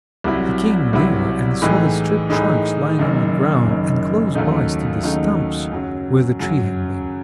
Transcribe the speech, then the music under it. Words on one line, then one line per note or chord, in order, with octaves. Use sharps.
He came nearer, and saw the stripped trunks lying on the ground, and close by stood the stumps, where the tree had been.
C2 C3 F#3 C4 E4
C2 C3 F#3 C4 E4
A2 E3 G#3 D#4
A2 E3 G#3 D#4
F#1 F#2 D#3
F#1 F#2 D#3
D#2 C#3 F#3 A3 D#4
D#2 C#3 F#3 A3 D#4
F#2 C#3 F#3
F#2 C#3 F#3